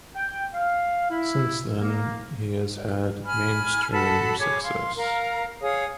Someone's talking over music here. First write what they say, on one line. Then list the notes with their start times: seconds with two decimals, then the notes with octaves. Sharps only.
Since then he has had mainstream success.
0.15 G5
0.54 F5
1.11 E4
1.81 A#3
3.24 G#5 B5 F6
3.92 F#4 A4 A5 B5
4.38 G#4 C#5 D6
4.63 F5 C6
4.97 A#4 F5 A#5
5.61 G#4 C#5 F5 D#6